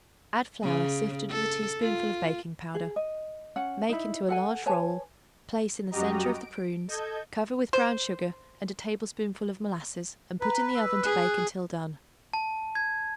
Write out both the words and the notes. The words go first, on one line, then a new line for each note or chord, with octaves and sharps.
Add flour sifted with a teaspoonful of baking-powder. Make into a large roll; place in the centre of the prunes; cover with brown sugar and a tablespoonful of molasses and put in the oven to bake until done.
C#3
A4
F4
G#4
D#5
C#4 F#5
D#4 E4
A4 F#5 G#5
B4 C#5 G#5 A5
F#2 G3 F#4 G4 D#5 A#5
D7
A4 D#5 G6 G#6
C5
B4 A#5
E6
G#4 F#6
A5
G#6